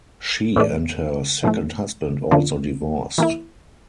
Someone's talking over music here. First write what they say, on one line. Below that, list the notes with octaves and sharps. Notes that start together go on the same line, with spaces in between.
She and her second husband also divorced.
A2 E3 A3 D4
A2 F3 A3
D3 F3 A#3 D4
E3 A#3 E4